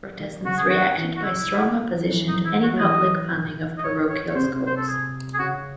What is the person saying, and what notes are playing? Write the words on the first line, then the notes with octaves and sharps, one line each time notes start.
Protestants reacted by strong opposition to any public funding of parochial schools.
D#3
C#3 F#4
G#4
D#3 F#4
E3
F#4
C#3 E4
E3
E3
D#4
E4
F#4
F#3
E3 D#5
D#5
C#5
C#5
C#5
C3 C5
C#3
C3
C5
A4
G#4
G#4
C#3 F#4